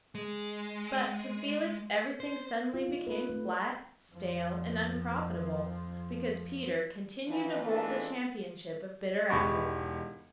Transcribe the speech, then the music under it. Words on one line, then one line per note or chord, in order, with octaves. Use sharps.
But to Felix everything suddenly became flat, stale, and unprofitable, because Peter continued to hold the championship of bitter apples.
G#3
C5
F4
D#4
B4
A3
F2 F3
E3 F3
G#2 E3 F3 D4 A4
E1 G#2 G4 B5 C#6